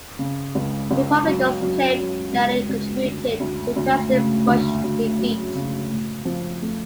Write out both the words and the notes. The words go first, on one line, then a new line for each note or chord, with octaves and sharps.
Republicans claimed that it contributed to President Bush's defeat.
C#3
C#2
C#2
F#3
F#3
F#3
C#2
C#2
D2
D2
D2
C#3
D2
D2
F#3
C#3
A2
F3
A3